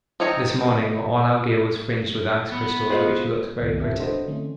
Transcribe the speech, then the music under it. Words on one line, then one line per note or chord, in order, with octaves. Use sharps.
This morning all our gear was fringed with ice crystals which looked very pretty.
D#3 C4 C#5 D#5 A#5
B3
F4 G#4 C5 D#5
C#2 G2 D#3 A3 B3
C2 G2 C4 G4 A4 E5
D4 F#4 A4 B4 C5 D#5
D3 E3 A3 C4 C#4